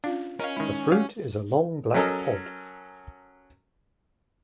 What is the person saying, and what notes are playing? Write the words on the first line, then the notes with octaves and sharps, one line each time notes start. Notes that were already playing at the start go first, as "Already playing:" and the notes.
The fruit is a long black pod.
C#4 D4 F4 F5
C#4 A#4 D#5 F5
D#3 G#3 E4
F#3 G3 F5
F#3 C#4 A4 A#4 D#5